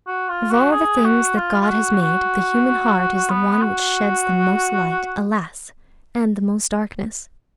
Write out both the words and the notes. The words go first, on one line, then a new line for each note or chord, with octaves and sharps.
Of all the things that God has made, the human heart is the one which sheds the most light, alas! and the most darkness.
F#4
F4
F#4
G#4
F#4
F4
F4
F#4
F#4
B3
F#4